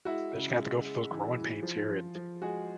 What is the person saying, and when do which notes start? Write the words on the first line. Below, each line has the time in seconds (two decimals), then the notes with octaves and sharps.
I just gonna have to go through those growing pains here, and,
0.05 G#3 E4 F#4
0.33 C#3
0.59 G#3
0.85 G#3
1.11 E3
1.36 E3
1.63 F3
1.89 F3
2.15 F3
2.42 G#3 F#4 G#4